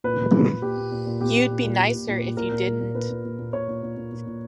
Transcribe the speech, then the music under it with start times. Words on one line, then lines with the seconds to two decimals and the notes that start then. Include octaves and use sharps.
You'd be nicer if you didn't.
0.04 A#2 B4
0.19 A#2
0.33 A#2
0.48 A#2
0.62 A#2 G4
0.77 A#2
0.92 A#2
1.06 A#2
1.21 A#2 G4
1.35 A#2
1.50 A#2
1.64 A#2
1.79 A#2
1.93 A#2
2.08 A#2
2.23 A#2
2.37 A#2 A#4
2.51 A#2
2.66 A#2
2.80 A#2
2.95 A#2 B4
3.09 A#2
3.24 A#2
3.39 A#2
3.53 A#2 C#5
3.68 A#2
3.82 A#2
3.97 A#2
4.12 A#2
4.26 A#2